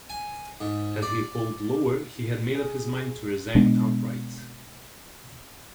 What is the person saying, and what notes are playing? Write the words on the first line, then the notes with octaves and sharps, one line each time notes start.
Had he polled lower, he had made up his mind to resign outright.
G#5
G#2
D5
G#4
B2 G#3 B3 D4